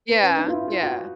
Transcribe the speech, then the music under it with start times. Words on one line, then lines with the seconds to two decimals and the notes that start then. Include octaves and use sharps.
Yeah, yeah.
0.09 B3
0.23 C#4
0.38 D#4
0.48 F4
0.53 E4
0.68 F4
0.83 F#4